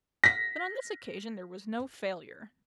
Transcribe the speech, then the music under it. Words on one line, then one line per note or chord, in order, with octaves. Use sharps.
But on this occasion there was no failure.
A#6 B6